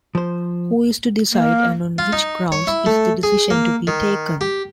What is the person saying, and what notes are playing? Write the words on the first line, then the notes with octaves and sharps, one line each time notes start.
Who is to decide, and on which grounds is the decision to be taken?
F3 C5
A#3
F4
D#4
C#5
E4
A3
G#4
A#3
D#3
G4